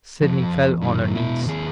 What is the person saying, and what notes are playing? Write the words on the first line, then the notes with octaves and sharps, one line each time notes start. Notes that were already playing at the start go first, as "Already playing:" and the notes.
Sydney fell on her knees.
F2
F#2 D#3
B2 E4
D#2 G#4